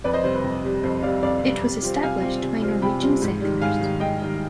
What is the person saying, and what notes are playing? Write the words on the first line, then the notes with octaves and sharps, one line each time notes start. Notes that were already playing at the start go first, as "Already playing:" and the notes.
It was established by Norwegian settlers.
F2 B4 D5
C5 D#5
C3 G3 C5
B4
F2
C3 G3
F2 C5
C3 G3 D5 F5
F2 D5 F5
C3 G3
C3
G3 C4 F4
C3 F5 G#5
G3 C4 F4
C3
G3 C4 F4
C3 G5 B5
G3 C4 F4
G#2
D#3 G3
G#2 F5 G#5
D#3 G3
G#2 D#5 G5
D#3 G3